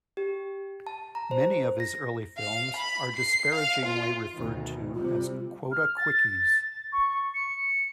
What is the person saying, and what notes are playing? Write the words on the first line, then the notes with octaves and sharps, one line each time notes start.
Many of his early films are disparagingly referred to as "quota quickies".
G4
A5
A#5
C5
A#6
F5
B5
C7
F5
F4
D2 B2 D#3
C3 G3 F4
F6
A6
C#6
C#7